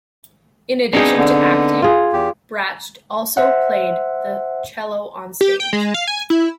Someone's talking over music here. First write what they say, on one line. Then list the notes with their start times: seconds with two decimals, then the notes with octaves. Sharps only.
In addition to acting, Dratch also played the cello onstage.
0.93 B3 C4 D4 D#4 G#4
1.17 D3
1.82 F4 G#4
2.13 E2 G4
3.37 C5 E5 F#5
5.41 G4
5.60 G5
5.73 G#3
5.94 F5
6.07 G#5
6.30 E4